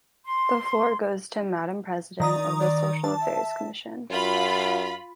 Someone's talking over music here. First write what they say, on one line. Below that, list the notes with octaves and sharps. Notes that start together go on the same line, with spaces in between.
The floor goes to Madam president of the social affairs commission.
C6
D#3 D5 A#5 D#6
D5
D4 A5
E5
F#2 F4 B5